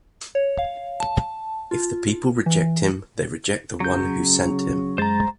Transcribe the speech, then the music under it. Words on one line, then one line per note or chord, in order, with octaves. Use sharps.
If the people reject him they reject the one who sent him.
C#5
F5
A5
F4
E3
C#3 F#3 G6
F#2 G#3 C5 A#5 A6